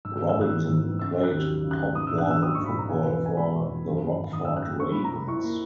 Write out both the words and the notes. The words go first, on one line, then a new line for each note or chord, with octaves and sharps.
Robinson played Pop Warner Football for the Rockford Ravens.
G#2 E6
E6
B3
E6
G#1
F#6
E3
G#2
B3
C#3 E6
C#4
F#6
D#2
F#3
C#3
F#6
C#4
G#2 D#6
E6
A#1
F#6
A#1 E6
F#3 D#6
G#2 C#6
B5
A#1 A#5
B2 G#5
B4
E2
B4
E2 G#5
G#3 B5
B2
E2
F#2
A#3
G#1
D#3 D#6
E6
F#2
F#6
A#3
A#3 C#6
B5
A#2
A#5
A#2 B5
E4 C#6
A#3